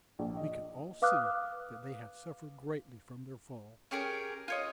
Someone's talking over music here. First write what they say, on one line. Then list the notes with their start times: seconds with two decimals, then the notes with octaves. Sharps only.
We could all see that they had suffered greatly from their fall.
0.19 A#1
0.37 D#5
1.02 B4 F5 D6 D#6 F6 F#6
3.91 C#4 G4 G#4 A#4
4.48 F4 C#5 D#5